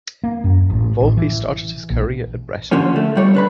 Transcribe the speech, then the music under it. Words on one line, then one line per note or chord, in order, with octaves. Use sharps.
Volpi started his career at Brescia.
A#3
F#2
A1
A1
E3
A#1
D#2 D3 F3 A#3 C#4
A3
B2 G3 C#5
D3 B4 B5